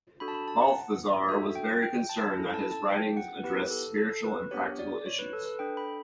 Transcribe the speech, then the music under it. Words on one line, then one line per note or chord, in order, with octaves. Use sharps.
Balthasar was very concerned that his writings address spiritual and practical issues.
D4 F#4 A4 B5
A5
B5
A5
F#5
D4 F#4 A4 E5
G5
G5
A5
C#4 E4 A4
A5
A5
G5
F#5
B3 E4 G4 B4
A4
A4
B4
B3 D4 G4 C#5
D5
C#5
B4
A4
B4
D4 A4 G5
B5